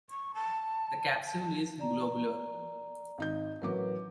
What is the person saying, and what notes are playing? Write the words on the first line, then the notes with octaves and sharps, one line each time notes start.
The capsule is globular.
C#6
A5
A5
D5 A#5
G#1 D#4 G6
A1 F#3 A#4 B4 D6